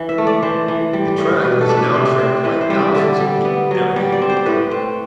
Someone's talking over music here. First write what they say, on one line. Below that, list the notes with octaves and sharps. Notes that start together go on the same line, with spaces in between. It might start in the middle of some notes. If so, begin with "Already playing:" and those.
The track is now tramped by thousands of people every year.
Already playing: E3
E5
A3
D5
E3 C5
E3
G3
A2
B2 B4
A4
D4
B4
C3
C4
E3 B4
C5
G3 E5
D5
D3 E5
G3
B3
F#3
G3
D5
C4
C5
A2 B4
C4